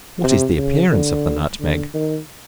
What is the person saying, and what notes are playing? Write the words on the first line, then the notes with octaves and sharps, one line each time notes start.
What is the appearance of the Nutmeg?
C3
C#3
D3
D3
D#3